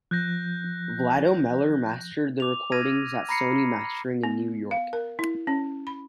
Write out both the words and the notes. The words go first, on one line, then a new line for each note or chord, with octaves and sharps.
Vlado Meller mastered the recordings at Sony Mastering in New York.
F3 F#6 G6 A#6
D6 F7
E6 F6 G#6 A#6 D#7
A#5 B5 A#6 C7 C#7
B3
F5
A#4
E4
C#4
B5